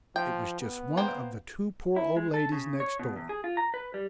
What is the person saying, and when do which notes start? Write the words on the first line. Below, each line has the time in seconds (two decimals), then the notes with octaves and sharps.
It was just one of the two poor old ladies next door.
0.16 F3 G5
0.60 B3
0.97 A#3 C5 G5
1.96 E4
2.17 G#3
2.34 A4
2.52 C#3
2.80 C#5
2.99 B2
3.16 E2
3.29 G#4
3.44 F4
3.57 A#5
3.74 B4
3.94 G3